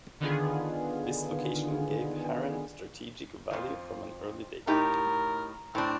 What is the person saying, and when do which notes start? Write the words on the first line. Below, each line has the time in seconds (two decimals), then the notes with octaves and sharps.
This location gave Harran strategic value from an early date.
0.20 D3 D#3 B3 F4 G#4
3.51 F2 F3
4.67 A2 D#4 G4 A#4
5.75 A2 C4 D4